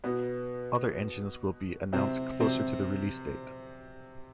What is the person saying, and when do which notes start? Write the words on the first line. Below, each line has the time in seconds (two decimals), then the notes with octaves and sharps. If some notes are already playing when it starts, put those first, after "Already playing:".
Other engines will be announced closer to the release date.
0.04 B2 B3
1.93 C3 C4
2.40 C3 C4